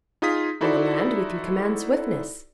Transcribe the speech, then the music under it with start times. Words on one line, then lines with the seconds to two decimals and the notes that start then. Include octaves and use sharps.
On the land we can command swiftness.
0.22 D#4 F4 G#4 F5 D#6 B6
0.61 D#4 E4 F#4 A4 C5 D5